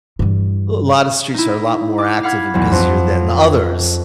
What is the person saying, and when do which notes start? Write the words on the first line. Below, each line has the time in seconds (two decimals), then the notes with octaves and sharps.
a lotta streets are a lot more active and busier than the others,
0.19 G2 E3
1.34 D#4 E4
1.98 D6
2.23 F5 F#5 B5 F6 G#6
2.54 B1 E2
2.72 F2